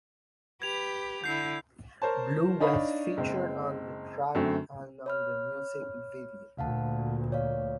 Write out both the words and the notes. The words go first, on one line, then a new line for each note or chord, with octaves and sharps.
Blue was featured on the track and on the music video.
G4 B4 G#6 F7
D3 E4 G6 C7
A#4 C5 C#5 A5
D4 D#4 C#5 D#5 F5 B5
F#1 G#3 C4
F#2 D3 A3 C4
C#5 B5 F6
D2 A#2 F5 F#5 A5
C#5 D5 F5